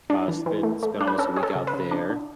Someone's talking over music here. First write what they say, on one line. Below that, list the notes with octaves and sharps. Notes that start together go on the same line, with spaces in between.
uh, spent spent almost a week out there.
D4
E3
E3
A3
A3
D4
B4
C#4 A4
C#4 G#4
A4
C#3
B4
C#3
D4
D4